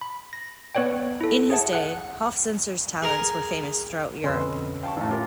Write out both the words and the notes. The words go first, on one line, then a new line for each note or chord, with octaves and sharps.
In his day, Hofzinser's talents were famous throughout Europe.
B5
A#6
B3 B4 C#5 D5 G5
E4 A4
G#4 C#5 E5 F#5 A5
F#5 F#6
G#4 A#4 A#5
F2 B2 D3 C#4 B4 D#5 C6 E6
F5 G5 A5 C#6
A1 A2
F4 G4 A#4